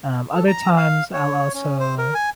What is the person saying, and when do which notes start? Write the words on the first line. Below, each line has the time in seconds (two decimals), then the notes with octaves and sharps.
Um, other times I'll also,
0.35 A4
0.48 A#5
0.77 F5
1.13 C#5
1.54 C#4
1.80 C5
1.98 A#4
2.14 G#5